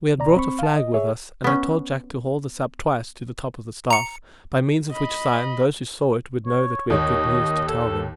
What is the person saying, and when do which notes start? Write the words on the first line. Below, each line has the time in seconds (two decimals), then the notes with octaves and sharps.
We had brought a flag with us, and I told Jack to haul this up twice to the top of the staff, by means of which sign those who saw it would know that we had good news to tell them.
0.18 D2 B2 D5 A#5
0.36 C4 B5 C#6
0.59 F5 A5
0.76 D#5
0.94 G#4 C#5 E5
1.44 B3 C#4
3.90 A#5 C#7
4.90 D#5 B5
6.46 C#5
6.90 D#2 C#5 D#5
7.67 A4